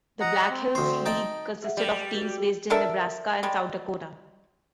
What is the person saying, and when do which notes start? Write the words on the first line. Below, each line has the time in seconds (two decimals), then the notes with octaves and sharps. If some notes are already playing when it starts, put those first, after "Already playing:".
The Black Hills League consisted of teams based in Nebraska and South Dakota.
0.20 D#5 F#5 A#5
0.50 C4
0.75 D2 C5
1.06 D#4 G5 A5
1.62 G#4 E5 F#5
1.77 G3 A4 D5
2.14 F#4 G4 A#4
2.38 G#4
2.70 D4 A4 A#4 E5
3.43 G3 G#3